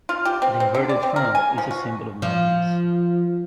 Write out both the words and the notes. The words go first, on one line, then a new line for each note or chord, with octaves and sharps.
The inverted funnel is a symbol of madness.
F4
G4
C4
C4
D3
D5
C4
A#4
G#5
F3
F#4
F3